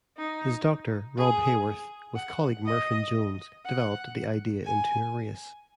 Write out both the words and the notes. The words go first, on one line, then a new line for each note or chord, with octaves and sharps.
His doctor, Rob Haworth, with colleague Merfyn Jones developed the idea into a race.
D#4
G#4
F#5
D#5
F#5
G#5